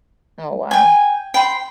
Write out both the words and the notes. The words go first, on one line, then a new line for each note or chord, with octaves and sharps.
Oh, wow.
G5 G#5
G5 B5 C6